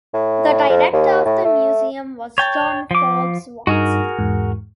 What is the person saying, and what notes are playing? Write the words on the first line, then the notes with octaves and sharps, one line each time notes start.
The director of the museum was John Forbes Watson.
A2
F2
D#2
A2
A3
C#5 G5 A5
F3 D6
G2 D#4 F#4 G#4 A#4
E2 G#2